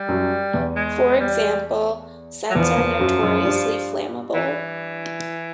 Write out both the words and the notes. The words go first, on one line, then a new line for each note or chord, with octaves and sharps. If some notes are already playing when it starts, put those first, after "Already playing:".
For example, sets are notoriously flammable.
Already playing: G3
F#2 F#3
E2 E3
G#3
G3
F#3
E2 E3 F3
E2 E3
F#2 F#3
F#2 F#3
G2 G3
E3